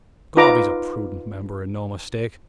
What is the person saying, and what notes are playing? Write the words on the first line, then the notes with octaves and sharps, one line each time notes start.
Gob, he's a prudent member and no mistake.
D#4 F4 B4 A#5 D6